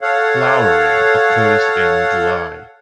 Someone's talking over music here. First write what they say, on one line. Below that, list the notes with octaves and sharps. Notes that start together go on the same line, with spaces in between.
Flowering occurs in July.
A4 C#5 F5 F#5